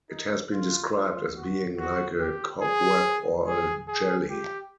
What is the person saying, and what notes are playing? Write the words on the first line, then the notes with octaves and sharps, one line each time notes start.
It has been described as being like a cobweb or a jelly.
D#4
F4
F4
F#4
F#4
G4
G#4
G#4
G#4
G4